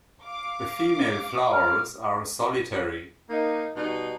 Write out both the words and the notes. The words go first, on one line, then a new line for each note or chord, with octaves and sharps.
The female flowers are solitary.
F5 D6
F6
A#3 D#4
B2 G3 D#4